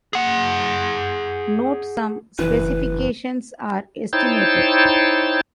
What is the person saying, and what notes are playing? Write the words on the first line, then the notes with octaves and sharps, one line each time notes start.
Note some specifications are estimated.
G#4 F#5
F#1 E3 B4
D#4 E4 C5 C#5 G5 A6